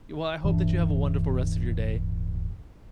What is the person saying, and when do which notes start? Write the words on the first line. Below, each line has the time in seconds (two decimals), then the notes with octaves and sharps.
Y well, I hope that you have a wonderful rest of your day.
0.44 D1 G2 E3 D4